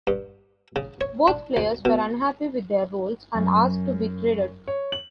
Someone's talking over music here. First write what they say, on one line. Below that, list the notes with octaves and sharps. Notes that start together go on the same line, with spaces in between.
Both players were unhappy with their roles and asked to be traded.
G2
C#3
C#5
D4
D2
B2
F#2
C#5
F#7